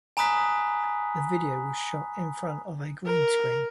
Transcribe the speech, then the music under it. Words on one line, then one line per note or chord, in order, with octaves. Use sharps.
The video was shot in front of a green screen.
G#5 A#5 B5 D#6 F#6 B6
A#4